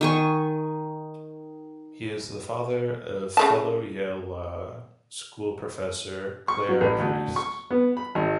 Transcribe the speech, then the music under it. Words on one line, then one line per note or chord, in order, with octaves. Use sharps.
He is the father of fellow Yale Law School professor Claire Priest.
D#3 G#5 C#6
C#3 A3 A5
C#6
F#3
A1
D2
C#6
B3
B5
G#1